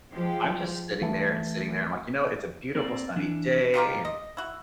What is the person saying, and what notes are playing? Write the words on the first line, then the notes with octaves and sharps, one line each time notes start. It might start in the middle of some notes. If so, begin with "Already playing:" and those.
I'm just sitting there and sitting there and like, you know, it's a beautiful sunny day, and
F3 G#3 G4
E3 A3
A#3 C4 D4 D5
E3 D4
D#3 F4 G4 A#4
D#5
E4 F#4